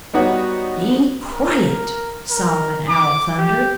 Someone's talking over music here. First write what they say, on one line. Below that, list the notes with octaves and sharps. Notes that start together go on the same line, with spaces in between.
"Be quiet!" Solomon Owl thundered.
G3 B3 D#4 F#4 C#5
A#4
A#4
D6
G4